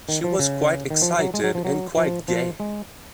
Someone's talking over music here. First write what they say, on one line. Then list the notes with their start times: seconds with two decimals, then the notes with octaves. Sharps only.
She was quite excited, and quite gay.
0.09 D#3
0.24 F3
0.39 C#3
0.90 D#3
1.02 F3
1.19 F#3
1.34 G#3
1.44 F#3
1.55 F3
1.65 F#3
1.97 F3
2.28 F3
2.60 G#3